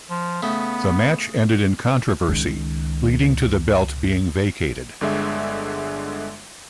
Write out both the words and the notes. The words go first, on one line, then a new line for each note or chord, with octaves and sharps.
The match ended in controversy, leading to the belt being vacated.
F3
C#3 A3 B3
C#2 D#3
G1 D3 G#3 E5